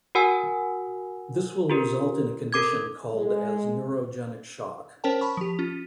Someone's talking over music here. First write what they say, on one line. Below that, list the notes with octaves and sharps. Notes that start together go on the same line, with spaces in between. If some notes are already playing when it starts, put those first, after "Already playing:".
This will result in a condition called as neurogenic shock.
F#4 A#4 F#5 G#5 E6
F4 G4 A#4
A4 A#4 D6 G#6
G#3
C#4 A#4 C5 C#5 G5 A5
A5 B5 C#6
F3 G4
C#4 F4